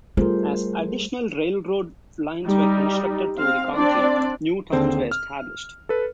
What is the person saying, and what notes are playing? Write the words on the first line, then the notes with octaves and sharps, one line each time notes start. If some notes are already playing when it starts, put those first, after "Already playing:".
As additional railroad lines were constructed through the county, new towns were established.
G3 A3 F4 G#4 A#4 C5
G3 D#4
C4 F5
C4 D4 D5
D#2 D3 C4 G#4 C5
F6
A4 B4